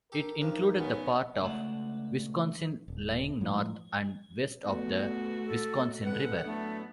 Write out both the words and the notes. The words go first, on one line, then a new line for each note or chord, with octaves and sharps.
It included the part of Wisconsin lying north and west of the Wisconsin River.
G4 A4 A#4
G2 F3 D#4
C#3 B3 C#4
C#2 A3 D5 E5 F#5
D#1
A2 F3
A3 B3 F#4
A4
D3 G#3 C4 B4 F#5
A2 F#3 A3 B3 D4